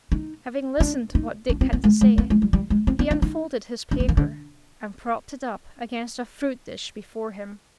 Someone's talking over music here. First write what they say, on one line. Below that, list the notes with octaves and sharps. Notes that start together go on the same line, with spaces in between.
Having listened to what Dick had to say, he unfolded his paper and propped it up against a fruit dish before him.
D#4
D4
D#4
D4
C4
B3
G#3
G#3
B3
G#3
G3
G3
G#3
C4
B3
D4
D#4
D4
B3
D#3
D3